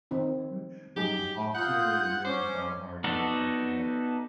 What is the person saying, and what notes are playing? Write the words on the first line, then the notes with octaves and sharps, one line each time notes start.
th the soft cherry, and then it starts hardening up after that.
D#3 C4 D#4
F#3 D#4 G4 G#4
F4 F#5 D#6 G6
C#4 C5 D6
B3 D#4 F#4 A4 D5